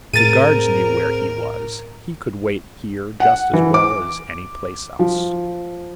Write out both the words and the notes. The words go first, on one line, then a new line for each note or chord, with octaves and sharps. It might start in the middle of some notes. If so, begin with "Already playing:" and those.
The guards knew where he was--he could wait here just as well as any place else.
A2 C4 G#4 A#4 A6 D#7
F#5
E3
D6
F3